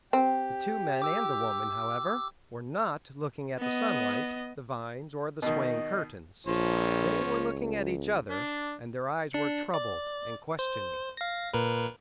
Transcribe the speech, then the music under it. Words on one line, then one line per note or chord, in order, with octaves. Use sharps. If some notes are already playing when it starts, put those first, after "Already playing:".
The two men and the woman, however, were not looking at the sunlight, the vines, or the swaying curtains; they were looking at each other, and their eyes were troubled and questioning.
C4 G4
D6 E6
B3 D#5
B2 D#3 D#5
A#1 F3 C#5
C#2
D4
D4 C#7
D5
C5
F5 A#6
A#2 A#4 B4